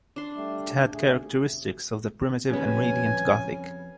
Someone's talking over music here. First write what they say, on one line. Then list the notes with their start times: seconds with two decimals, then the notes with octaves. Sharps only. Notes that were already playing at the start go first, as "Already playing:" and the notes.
It had characteristics of the primitive and radiant Gothic.
0.16 D4 C6
0.35 G3 A3
0.93 D#2 A3 G#4
2.50 F2 C#3 G3 B3 C#4 G#5